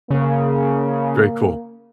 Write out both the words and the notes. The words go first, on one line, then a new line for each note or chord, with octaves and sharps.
very cool.
C#3 A#3